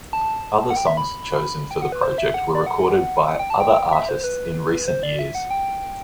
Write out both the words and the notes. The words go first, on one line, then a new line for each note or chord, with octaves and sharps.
Other songs chosen for the project were recorded by other artists in recent years.
A5
F#5
G5
E5
B5
G5
F#5
B4
C5
E5
F#5
D5
F#5
F#5
G5
A5
G5
E5
C5
B4
C5
D5
E5
F#5
G5